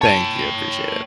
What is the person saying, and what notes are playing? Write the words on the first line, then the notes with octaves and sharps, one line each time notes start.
Thank you. I appreciate it.
C#5 G5 A5 D#7